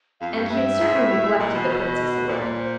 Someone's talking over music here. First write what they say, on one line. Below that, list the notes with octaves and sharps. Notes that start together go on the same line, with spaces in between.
And he had certainly neglected the Princess a little.
F2 F5
G2
G2 E5
G#2
A2
A2
A#2 D#5
B2
B2
A#2 D5
C#5
C5